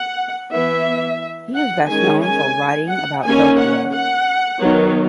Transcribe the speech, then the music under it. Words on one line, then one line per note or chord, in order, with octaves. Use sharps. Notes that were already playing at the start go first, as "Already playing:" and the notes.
He is best known for writing about Tokyo.
Already playing: F#5
E3 B3 E5
F#5
D#3 G#3 C#4 G#5
G#5
F#5
D#3 A#3 C#4 G#5
F#5
F#5
D#3 F#3 B3